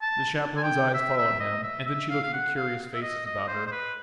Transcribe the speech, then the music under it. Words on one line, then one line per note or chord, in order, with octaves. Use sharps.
The chaperone's eyes followed him, and then she looked at the curious faces about her.
A5
G#5
G5
E5
E5
D#5
E5
E5
F5
F5
F#5
F5
E5
D#5
D#5
C5
C5
B4